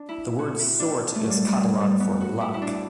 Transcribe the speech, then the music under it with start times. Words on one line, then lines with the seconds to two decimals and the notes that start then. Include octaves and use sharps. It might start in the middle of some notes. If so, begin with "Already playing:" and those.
The word "sort" is Catalan for "luck".
Already playing: D4
0.09 E4
0.39 F#4
0.59 E4
0.80 D4
1.15 A3
1.25 F#3 G3
1.46 G3
1.60 F#3
1.80 G3
2.00 B3
2.21 F#4
2.41 E4
2.54 E4
2.62 D4